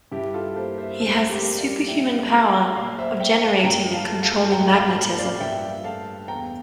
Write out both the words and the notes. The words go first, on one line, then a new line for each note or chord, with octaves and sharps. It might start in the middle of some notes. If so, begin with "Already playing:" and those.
He has the superhuman power of generating and controlling magnetism.
G2 E4 G4
F4 A4
A#3 A4 C5
C5 E5
F2 A4 C5
G4 A#4
G3
D5 F5
A#2 E5 G5
A3
A#2 D5 F5
C5 E5
A#3 E5 G5
F5 A5
G2 G5 A#5
F5 A5
A3
F5 A5
A2 G5 A#5
F5 A5
A#3
D5 F5
G2 E5 G5
A3 F5 A5
E2 G5 A#5